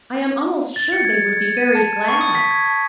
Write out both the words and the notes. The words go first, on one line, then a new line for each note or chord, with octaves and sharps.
"I am almost sure they would be very glad."
A6
C#7
G#6
G#6
D#7
A5
C#6
D#6
B6
G#6
A5